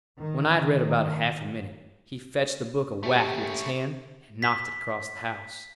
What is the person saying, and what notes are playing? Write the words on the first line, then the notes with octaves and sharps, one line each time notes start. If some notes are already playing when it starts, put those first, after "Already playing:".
When I'd read about a half a minute, he fetched the book a whack with his hand and knocked it across the house.
A2 D#3
A3 A#3 C#4 G4
B6